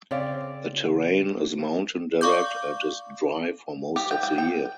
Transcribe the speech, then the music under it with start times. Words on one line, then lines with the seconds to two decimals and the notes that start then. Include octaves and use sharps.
The terrain is mountain desert and is dry for most of the year.
0.11 C#3 C4 C#5 D5 F5
2.21 D5 F5 C#6 D6 G6
3.96 G4
4.11 G5
4.23 G5
4.38 G5